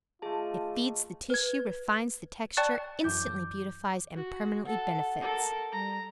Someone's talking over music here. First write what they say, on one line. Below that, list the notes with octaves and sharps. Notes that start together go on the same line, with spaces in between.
It FEEDS the tissue, REFINES the texture, INSTANTLY beautifies, and PERMANENTLY benefits.
D#3 A3 F4 G#4 A5
B4 G#6
D5 G5 A5 C#6 F#6 A6
F#2 E3 D6 G6
F#4
A4 F#5
A4 A#4
G3 A#5